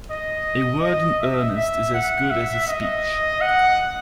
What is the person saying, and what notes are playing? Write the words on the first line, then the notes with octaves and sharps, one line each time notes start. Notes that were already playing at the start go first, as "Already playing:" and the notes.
A word in earnest is as good as a speech.
D#5
D#5
E5
E5
F#5
E5
D#5
F#5